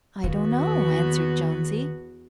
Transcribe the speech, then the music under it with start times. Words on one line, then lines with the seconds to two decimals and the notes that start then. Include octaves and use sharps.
"I don't know," answered Jonesy.
0.24 E2 D#3 A#3 B3 F#4